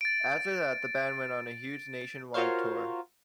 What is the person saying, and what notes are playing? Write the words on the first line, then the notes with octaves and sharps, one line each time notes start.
After that the band went on a huge nationwide tour.
A6 D7
F4 F#4 A#4 C5 C#5 F5